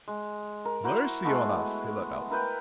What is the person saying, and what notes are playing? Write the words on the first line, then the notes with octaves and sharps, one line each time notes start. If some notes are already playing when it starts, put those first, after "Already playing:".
"Mercy on us!" he let out.
G#3
A#4
E4 F#4 A#4 C5
G#3 A3 B3
E4 A#4 B4 G5